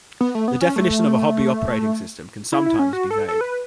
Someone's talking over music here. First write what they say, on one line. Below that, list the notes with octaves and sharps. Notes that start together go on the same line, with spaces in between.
The definition of a hobby operating system can sometimes be vague.
B3
A3
B3
C#4
A3
E4
E4
C#4
F#4
A4
A4
B4